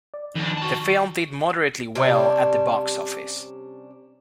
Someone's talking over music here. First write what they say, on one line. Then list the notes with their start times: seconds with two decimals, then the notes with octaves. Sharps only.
The film did moderately well at the box office.
0.14 D5
0.35 F2 D#3 D4
0.57 F#4 A5
1.95 C3 G3 C#4 D4